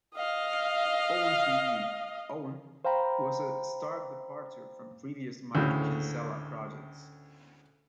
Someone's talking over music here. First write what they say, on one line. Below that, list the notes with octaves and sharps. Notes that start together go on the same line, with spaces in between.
Owen's debut, "Owen" was a stark departure from previous Mike Kinsella projects.
D#5 F5
C5 F5 G5 A#5 B5
D2 A2 C#3